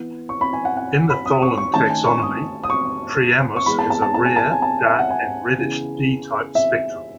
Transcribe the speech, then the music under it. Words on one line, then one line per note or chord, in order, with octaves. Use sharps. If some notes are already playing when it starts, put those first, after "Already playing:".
In the Tholen taxonomy, "Priamus" has a rare, dark and reddish D-type spectrum.
Already playing: E3 B3
C#6
B5
G#5
F#5
F#5
B5
D#6
C#6
C#6
D#3 A3 C#4 A5
G#5
C#6
D#6
D#6
C#6
C#6
E3 G#3 B3 B5
A5
A5
A5
A5
G#5
A5
G#5
A5
E5
F#5
G#5
C#3 E3 B3
E5